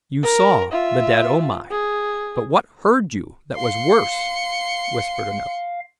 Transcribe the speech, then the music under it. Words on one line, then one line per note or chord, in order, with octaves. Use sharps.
"You saw the dead O-Mai; but what heard you that was worse?" whispered another.
A#4
F4 E5
G#4
F5 C6 C#7